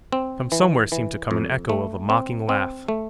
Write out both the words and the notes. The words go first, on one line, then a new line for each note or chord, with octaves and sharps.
From somewhere seemed to come an echo of a mocking laugh.
C4
E3
E3
F2
A3
C4
C4
A3